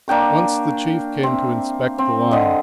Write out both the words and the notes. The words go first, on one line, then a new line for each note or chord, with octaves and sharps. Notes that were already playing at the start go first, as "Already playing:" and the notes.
Once the Chief came to inspect the line.
A#3 D4 G5 C#6
C4 E5
C4
D3 D#5